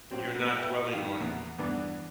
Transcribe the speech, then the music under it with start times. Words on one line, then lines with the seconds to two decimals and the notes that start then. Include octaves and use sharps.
you're not dwelling on
0.11 F#3 C4 C#4 G4
0.35 A#3 B3
0.57 B4 E5 G5
0.93 D#3 G4 F5
1.20 E2 A#2 B3
1.59 E2 G2 E3 B3 D4